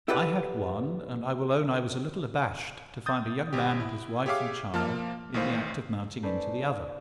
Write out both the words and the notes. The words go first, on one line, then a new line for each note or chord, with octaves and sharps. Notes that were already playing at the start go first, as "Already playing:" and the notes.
I had one; and I will own I was a little abashed to find a young man and his wife and child in the act of mounting into the other.
E4 G4 A4 B4 D5 F#5
D#6 G6 A6
G#1 G4
E4
G4 G#4 C#5 E5 F5 D6
F3 A#3 A5 F6
A1 A2 D#3 C5 F5
C#4 D#4 A4 B4 C5 D5